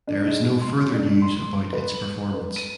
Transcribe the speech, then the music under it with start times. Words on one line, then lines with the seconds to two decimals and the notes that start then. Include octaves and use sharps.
There is no further news about its performance.
0.07 D4
0.25 G#2
0.61 C6
0.73 C#4
0.94 D4
1.22 C6
1.73 B4
1.94 F#7
2.34 B4
2.56 D#7